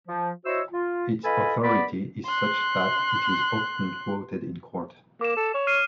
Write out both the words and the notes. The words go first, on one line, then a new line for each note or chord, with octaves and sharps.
Its authority is such that it is often quoted in court.
F3
E4 F#4 C5 C#5 D#5 E6
F4
F4 A4 B4 D#5 G#5 B5
B3 D5 B5
C6 F#6
A#3 D6 E7
A4
C#5
F6 C7 D#7